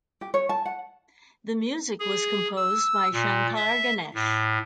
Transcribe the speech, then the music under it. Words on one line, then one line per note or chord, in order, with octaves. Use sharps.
The music was composed by Shankar–Ganesh.
G4
C#5
A5
F#5
G#4
E6
A#2
E5
A2